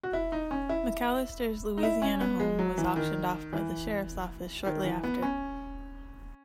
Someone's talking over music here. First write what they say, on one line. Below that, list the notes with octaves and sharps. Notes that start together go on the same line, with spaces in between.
McAllister's Louisiana home was auctioned off by the Sheriff's office shortly after.
F#4
E4
D#4
C#4
E4
D#4
E4
C#4
B3
G#3
F#3
E3
D#3
E3
D#3
E3
B3
C#4